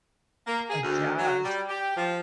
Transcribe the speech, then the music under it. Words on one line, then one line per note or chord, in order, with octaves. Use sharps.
Oh, it does.
A#3
G#4
D2
F#3
G3
G4
F3